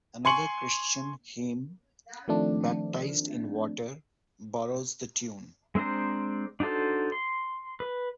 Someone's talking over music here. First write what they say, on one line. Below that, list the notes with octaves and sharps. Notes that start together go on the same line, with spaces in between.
Another Christian hymn, "Baptized In Water," borrows the tune.
G#5 C6 C#6 C#7 F#7
D#3 F3 A3 C4 D4
G#3 C4 D4 C5 A#5
D4 D#4 F#4 A4 C5
C6
B4